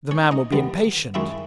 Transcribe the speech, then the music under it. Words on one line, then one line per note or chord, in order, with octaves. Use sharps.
'The man will be impatient.'
C#4 C#5
D#4 D#5
D#2 D3 G3 B3
F#2 D#3 G#3 C#4 E4 E5